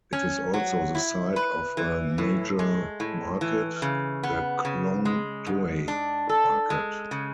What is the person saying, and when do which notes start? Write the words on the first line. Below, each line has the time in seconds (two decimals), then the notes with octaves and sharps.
It is also the site of a major market, the Khlong Toei Market.
0.13 C#4
0.54 F#3
0.95 E4
1.36 B4
1.77 E3
2.18 A2
2.59 G#3
3.00 A2
3.41 E3
3.82 C#3
4.23 B3
4.65 C#3
5.05 G#3
5.46 G#2
5.88 D4
6.29 A4
6.70 G#3
7.11 C#3